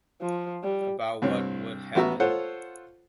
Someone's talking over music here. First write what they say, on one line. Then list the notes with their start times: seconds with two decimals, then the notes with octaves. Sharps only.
About what would happen.
0.22 F3
0.63 G3
1.22 C2 G2 C4 C#5
1.95 A1 B3 F#4 E5 A#5
2.20 F4 A4 C5 C#5 F#5